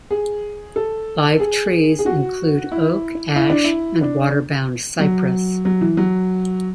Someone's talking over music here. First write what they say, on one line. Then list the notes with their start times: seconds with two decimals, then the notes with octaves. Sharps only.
Live trees include oak, ash, and water-bound cypress.
0.11 G#4
0.76 A4
1.40 G#4
1.99 G#4
2.06 F#4
2.72 E4
3.36 E4
3.50 D4
3.64 E4
4.01 D4
4.99 F#3
5.65 F#3
5.81 E3
5.97 F#3